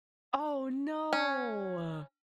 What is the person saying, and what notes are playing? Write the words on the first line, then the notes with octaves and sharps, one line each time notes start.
Oh, no.
C#4